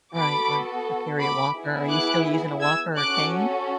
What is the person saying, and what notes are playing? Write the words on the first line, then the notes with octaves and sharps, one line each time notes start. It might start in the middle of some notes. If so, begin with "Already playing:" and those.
Right, right, or carry a walker. Are you still using a walker or a cane?
B3 F#4 A4 B5 D6
B5 D6
B3 E4 G#4
D6 F#6
E6 G#6
C#4 F#4 A4 D6 F#6